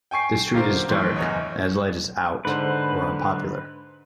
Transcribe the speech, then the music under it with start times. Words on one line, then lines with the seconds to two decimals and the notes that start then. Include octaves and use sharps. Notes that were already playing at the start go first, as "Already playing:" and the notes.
The street is dark, as light is "out", or unpopular.
0.11 G5 G#5 C#6 C7
0.53 D3 A#3 F4 G4 A#4 C5
0.88 D#2 A2 E3 C6 G6
1.16 F#1 E2 C#5 D#5
2.45 G#2 D3 B4 C5